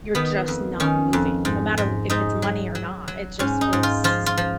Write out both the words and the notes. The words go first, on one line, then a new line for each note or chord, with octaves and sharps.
you're just not moving. No matter w if it's money or not, it just feels
D#3 B3
F2
D#3 C#4
F2
G#2
G#2
G#2 D#4
F#3
F#3
F#3
G#2 C#4
D#4
G#2
F4
F3 F4
F4
F3